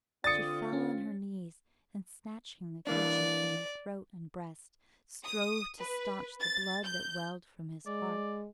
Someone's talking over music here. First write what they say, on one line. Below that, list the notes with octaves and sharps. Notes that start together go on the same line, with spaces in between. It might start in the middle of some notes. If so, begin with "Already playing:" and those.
She fell on her knees, and snatching the kerchief from her throat and breast, strove to stanch the blood that welled from his heart.
D3 C4 F4 D5 D#6 A6 C#7
C#4
E3 A#3 D4 D5
D#6
B4
A6
G6
G#3 D5